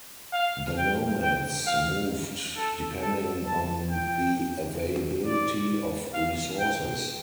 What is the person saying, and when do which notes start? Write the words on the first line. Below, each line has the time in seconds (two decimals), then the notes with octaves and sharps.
The nomads moved depending on the availability of resources.
0.33 F5
0.78 G5
1.22 G5
1.67 F5
2.57 A4
3.01 A4
3.46 A5
3.91 G5
5.25 D5
6.14 F5
6.59 G5